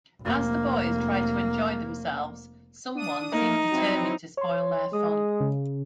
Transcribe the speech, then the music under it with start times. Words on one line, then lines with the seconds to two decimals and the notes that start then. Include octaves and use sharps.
As the boys try to enjoy themselves, someone seems determined to spoil their fun.
0.22 F1 A#3
2.95 D4 D#6 D#7
3.32 A3 A#3 D#4 A#4
3.71 F#3 C4 E4
4.37 C#5 C6
4.93 G#3 D#6
5.40 C#3